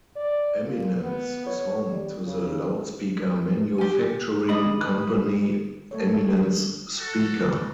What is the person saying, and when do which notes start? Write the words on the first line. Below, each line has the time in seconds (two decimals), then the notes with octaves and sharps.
Eminence is home to the loudspeaker manufacturing company, Eminence Speaker.
0.16 D5
0.65 A#2
1.03 B3
1.47 C#5
1.89 G3
2.26 C#3
3.78 G4 G#5
4.49 D4 D#5 B5 D#6
5.91 A3 A4 C#5
7.00 F#4 A4